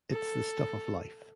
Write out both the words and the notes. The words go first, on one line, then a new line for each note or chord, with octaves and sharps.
It's the stuff of life.
A4